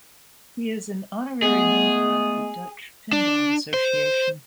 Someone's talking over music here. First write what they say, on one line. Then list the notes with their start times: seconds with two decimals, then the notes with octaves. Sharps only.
He is an honorary member of the Dutch Pinball Association.
1.42 G#3 A3 B3 G#4
3.13 D4
3.74 C5